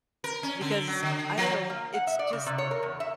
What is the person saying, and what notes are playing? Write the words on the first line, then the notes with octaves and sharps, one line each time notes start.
Because I don't know, it's just
A#4
C#4
D3
F#3
D3
F3
A#3
F#5
E5
D5
C#3
C3
C#5
A#4
E2
E5